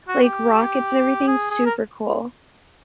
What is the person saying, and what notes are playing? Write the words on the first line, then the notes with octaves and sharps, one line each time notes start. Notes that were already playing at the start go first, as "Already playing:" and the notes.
like, rockets and everything. Super cool.
F#4
G4
G#4
G#4
A#4